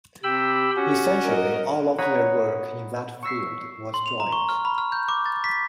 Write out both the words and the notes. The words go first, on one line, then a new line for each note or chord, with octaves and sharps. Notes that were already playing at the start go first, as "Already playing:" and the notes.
Essentially all of their work in that field was joint.
C3 G4 G5 B5 E6
C#4 F#4
A#4 D#5
C#5 F#5 A#5 B5 D#6 G#6
C#6 E6 B6 C7
C6
F7
A#5
C#6
F6
B5
F6
G6
D6
A6
B6